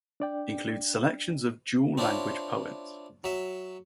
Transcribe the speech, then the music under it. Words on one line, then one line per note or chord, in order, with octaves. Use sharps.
Includes selection of dual-language poems.
D4 D5 G5
C4 D4 E4 F4 C#5
F#3 E5